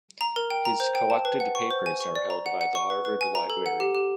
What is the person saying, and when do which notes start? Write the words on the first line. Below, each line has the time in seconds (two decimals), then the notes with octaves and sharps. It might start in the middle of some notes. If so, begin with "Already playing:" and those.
His collected papers are held by the Harvard Library.
0.21 A#5
0.36 A#4
0.50 G5
0.65 A#5
0.80 C5
0.95 G5
1.10 A5
1.25 B4
1.40 F#5
1.55 C#6
1.71 C5
1.86 G#5
2.00 C#6
2.15 D5
2.30 A#5
2.46 F#5
2.61 F#5
2.75 C#6
2.90 B4
3.05 B4
3.21 G#5
3.35 A#5
3.50 A4
3.66 F#5
3.80 G4
3.95 G4